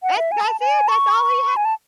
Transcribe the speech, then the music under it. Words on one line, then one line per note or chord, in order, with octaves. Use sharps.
that's that's it! That's all he
F#5
E5
G#5
A5
G#5
C#6
G#5
A5